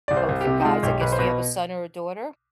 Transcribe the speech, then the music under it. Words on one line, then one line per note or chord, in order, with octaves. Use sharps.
both you guys. I guess, do you have a son or a daughter?
C2 D5
C5
C2
G4
C3
D#4
G#3 F4
B1 G4
B1 B4
C5
B2 B4